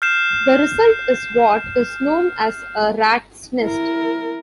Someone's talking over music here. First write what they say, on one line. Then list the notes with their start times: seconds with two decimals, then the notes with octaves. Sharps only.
The result is what is known as a rat's nest.
0.02 F6 G6 C7 E7
3.61 E4 A#4